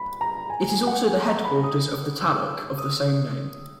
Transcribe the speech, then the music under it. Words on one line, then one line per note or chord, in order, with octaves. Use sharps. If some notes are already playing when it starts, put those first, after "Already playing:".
It is also the headquarters of the Taluk of the same name.
Already playing: B5
A#5
G#5
G#5
F#5
G#5
A#5
B5
D#6
E6
D#6